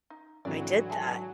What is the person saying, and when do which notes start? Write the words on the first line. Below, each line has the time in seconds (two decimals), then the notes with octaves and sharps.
I did that.
0.10 D#4
0.45 G#1 D3 E3 F#3 D5
0.90 G#4 G#5 A5